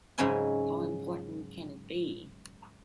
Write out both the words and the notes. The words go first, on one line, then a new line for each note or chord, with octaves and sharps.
How Important Can It Be?
G#2 C#3 F#3 C#4 E4 G#5